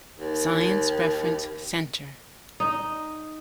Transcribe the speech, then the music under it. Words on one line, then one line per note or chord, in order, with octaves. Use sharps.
Science Reference Center.
D#2
D#4